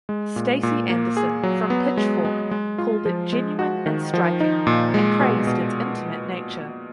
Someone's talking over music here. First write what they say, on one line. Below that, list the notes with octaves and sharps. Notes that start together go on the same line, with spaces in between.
Stacy Anderson from "Pitchfork" called it "genuine and striking" and praised its intimate nature.
G#3
A#2
A#2
A#3
G#4
F#3
B3
G#3
G#3
G#3
F4
F3
G#3
F#4
D#3
F3
D#4
A#2
G#3
B2
B2